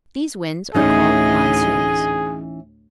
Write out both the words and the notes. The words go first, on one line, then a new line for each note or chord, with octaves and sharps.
These winds are called "monsoons."
D2 A2 E3 C#4 D#4 G#4 D#5